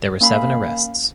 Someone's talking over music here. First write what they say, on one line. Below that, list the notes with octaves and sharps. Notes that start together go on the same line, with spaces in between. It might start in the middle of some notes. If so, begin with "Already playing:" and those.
There were seven arrests.
A#3 C#4 F5 B5